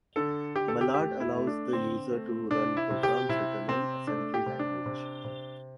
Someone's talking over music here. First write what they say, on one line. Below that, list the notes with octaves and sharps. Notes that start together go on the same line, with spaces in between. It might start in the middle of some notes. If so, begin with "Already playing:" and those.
Mallard allows the user to run programs written in assembly language.
D3 A4
D3 G4
A4
G4
A3 G4
E4
A3
D4
D3 C4
A3
C3 D4
E4
C3
G4
C3 E4
C3 C4
A3 D4
G4
C3
D4
C3
C3